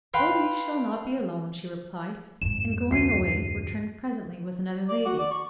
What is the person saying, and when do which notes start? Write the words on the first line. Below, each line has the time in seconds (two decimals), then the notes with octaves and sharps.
"Oh, you shall not be alone," she replied, and going away returned presently with another lady.
0.14 B4 F5 G5 B5 C6
2.42 F2 G#2 E7
2.91 D2 C7 D#7
4.89 D5
5.06 F#4
5.19 D5
5.31 C#6